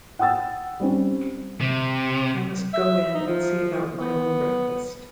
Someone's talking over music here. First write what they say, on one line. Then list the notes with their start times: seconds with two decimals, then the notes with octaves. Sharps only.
I must go in and see about my own breakfast.
0.19 F#5 G5 D#6 E6 A6
0.80 G3 C4 C#4
1.61 C3
2.73 E5
3.14 D#4
3.27 F3
3.98 B3